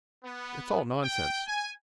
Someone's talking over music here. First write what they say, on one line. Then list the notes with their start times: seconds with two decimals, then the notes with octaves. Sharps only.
It's all nonsense...
0.24 B3
1.03 G5
1.47 G#5